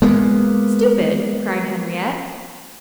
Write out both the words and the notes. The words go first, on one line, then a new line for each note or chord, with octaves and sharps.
"Stupid!" cried Henriette.
G#3 A#3 B3